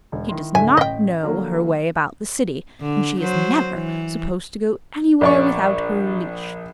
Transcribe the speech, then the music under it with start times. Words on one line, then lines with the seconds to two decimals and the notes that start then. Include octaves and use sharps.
She does not know her way about the city, and she is never supposed to go anywhere without her leash.
0.12 E1
0.29 D#3 E4 C6
0.55 D1 D3 E5 G#5
0.77 A1 D#5 G5 B6
1.23 D3 F#3 A#3
2.81 D3
3.20 F#3 C5
3.73 E3
5.21 A#1 D5 C#6